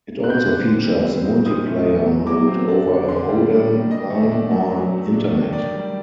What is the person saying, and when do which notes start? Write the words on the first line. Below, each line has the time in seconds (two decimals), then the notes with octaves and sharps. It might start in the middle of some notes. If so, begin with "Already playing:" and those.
It also features multiplayer mode over a modem line or Internet.
0.23 C4 F#6
0.30 G6
0.37 F#6
0.44 D3
0.64 D3
0.85 G3
1.05 C4
1.25 D#4
1.45 A#2 D#6
1.66 A3
1.86 D#4
2.07 F#3
2.27 F#3 D6
2.48 C4
2.69 D4
2.88 D3
3.09 D3 C6
3.29 G3
3.50 D4
3.70 D#3
3.91 D#3 D#5
4.11 A3
4.32 D4
4.51 F#3
4.72 F#3
4.92 A3
5.13 D4
5.33 D#3
5.53 D#3 D5
5.74 G3